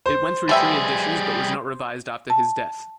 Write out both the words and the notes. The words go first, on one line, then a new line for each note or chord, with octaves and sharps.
It went through three editions but was not revised after his death.
C5
B2 G3 G#4 E5 G5
A5